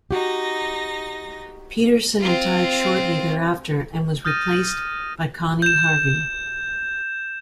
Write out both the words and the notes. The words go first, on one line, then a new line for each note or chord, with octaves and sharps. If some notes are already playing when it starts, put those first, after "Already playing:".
Peterson retired shortly thereafter and was replaced by Connie Harvey.
D#4 F#4 G4 A#6
C4 F4
D#6 F6 G6 A6 A#6 D#7
G6 E7